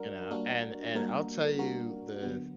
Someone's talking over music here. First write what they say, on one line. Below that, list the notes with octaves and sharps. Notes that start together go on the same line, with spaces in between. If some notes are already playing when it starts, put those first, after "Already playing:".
you know, and and I'll tell you the
Already playing: G3 D4 F#4 A#4
G3 A#3 D4 F#4 A#4
G3 A#3 D4 F#4 A#4
G3 A#3 D4 F#4 A#4
D3 F#3 B3